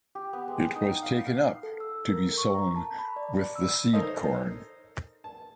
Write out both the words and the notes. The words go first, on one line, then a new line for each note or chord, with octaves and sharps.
It was taken up to be sown with the seed-corn.
G4
B3
G#3
G5
D#4
D#4
F5
F5
A4
E6
A#4
C#6
A#5
A5
B5
D5
D5
E6
D#4 A4 A#4 C5 C#5 D#5
A5